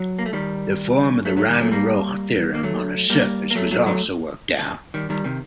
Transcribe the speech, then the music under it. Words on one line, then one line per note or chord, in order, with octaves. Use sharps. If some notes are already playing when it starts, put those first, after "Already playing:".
The form of the Riemann-Roch theorem on a surface was also worked out.
Already playing: F#3
A#3
A3
D#3 G3
F#3 A3
F#3 A3
D#3 G3
F#3 A3
G3 A#3
A#3
F#3 A3
G3 A#3
A#3
F#3 A3
F#3 A3
F#3 A3
D#3 G3
D#3 G3
C3 D#3